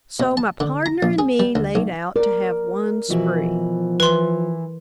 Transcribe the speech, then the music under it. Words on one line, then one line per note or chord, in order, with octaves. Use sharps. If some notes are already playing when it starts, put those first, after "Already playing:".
So my pardner and me layed out to have one spree.
B2
A5
D3
A#5
A#1
G#4
G3
D2
B1
A#4 D5
B2 E3 F3 F#4
E3 B4 C6